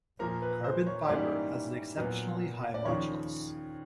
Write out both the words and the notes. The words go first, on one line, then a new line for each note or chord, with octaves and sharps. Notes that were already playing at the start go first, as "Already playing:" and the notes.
Carbon fiber has an exceptionally high modulus.
A#2 F3 A#3 A#4
B4
C5
C#5
G#2 E3 G3 A#3 C#4 D5
A#2 F#3 B3
D5
D#2 C#3 F3 C#5